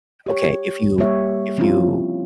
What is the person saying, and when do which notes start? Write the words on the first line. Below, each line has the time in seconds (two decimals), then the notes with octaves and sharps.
okay, if you if you
0.26 G4 C#5
0.98 G3 A#3 G4 C#5 E5
1.58 F3 C4 C#4 E4 F4